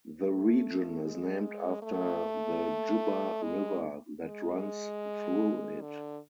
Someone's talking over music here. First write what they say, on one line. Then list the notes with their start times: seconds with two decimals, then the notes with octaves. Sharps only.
The region is named after the Jubba River that runs through it.
0.22 A3
1.02 G#3
1.83 A3
3.43 G#3
4.22 G#3
5.82 D3